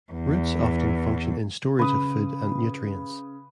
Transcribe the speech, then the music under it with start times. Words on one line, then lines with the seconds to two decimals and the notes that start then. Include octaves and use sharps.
Roots often function in storage of food and nutrients.
0.12 E2
1.79 C#3 B4 D#6